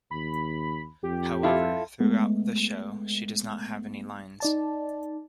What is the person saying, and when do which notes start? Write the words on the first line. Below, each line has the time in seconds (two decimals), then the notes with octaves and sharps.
However, throughout the show, she does not have any lines.
0.11 D#2 B5
1.03 F2 G4
1.43 E4 F4 A4
2.00 G#3 A3 B3
4.40 D#4 D5 A5